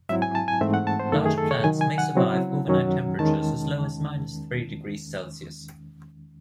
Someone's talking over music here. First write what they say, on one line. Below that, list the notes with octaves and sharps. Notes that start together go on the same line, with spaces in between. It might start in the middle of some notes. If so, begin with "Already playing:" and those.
Larger plants may survive overnight temperatures as low as minus three degrees Celsius.
G#2 F#3 C4 E4 E5
G#5
A5
G#5
G#2 E3 A3 C4 E5
F#5
A5
C5
F#2 D#3 A3 A4
G#4
A4
C#5
C3 D#3 F#3 G#5
G#5
F#5
C#3 F#3 C4 E4
F#2 D#3 F#3 C#4
E2 D#3 G#3 C#4 A5